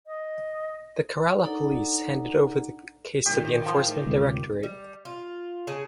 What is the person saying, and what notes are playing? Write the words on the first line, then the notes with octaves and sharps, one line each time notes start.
The Kerala Police handed over the case to Enforcement Directorate.
D#5
D4 D#4 A4 D5 F#5 A#5
A2 D#3 F4 G4
F3
D2 C3 G#3
G3
F4
C#3 G#4 G#5 A5